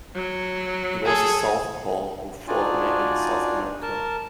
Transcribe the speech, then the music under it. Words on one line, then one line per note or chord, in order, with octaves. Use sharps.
He was a southpaw who fought mainly in South America.
F#3
G#4 A4
D4 D#4 F4 F#4 D5 G#5
A#4 A5